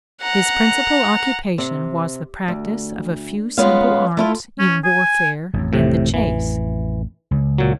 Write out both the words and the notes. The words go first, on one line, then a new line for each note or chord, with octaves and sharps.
His principal occupation was the practice of a few simple arts in warfare and the chase.
F#5 A#5
C3
D2
G#3 B3 C#4 F4 F5
A3 E4 F4
C#4
G#5
A1 F2
A2 C3
E3
C#2
A#2 F#3